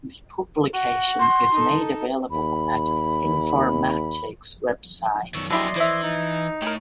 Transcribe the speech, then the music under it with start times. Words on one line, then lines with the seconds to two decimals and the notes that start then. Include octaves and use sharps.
The publication is made available at Informatics Website.
0.74 F#4
1.20 C6
1.52 D#4 A4
2.31 D#2 B5
5.34 F#2 D#3 C#6 E6
5.51 D3 F#3 E4 G4 G#4 D5 D#5 C6
5.76 E3 C5 E5
6.02 D#4
6.62 A2 G4 A#4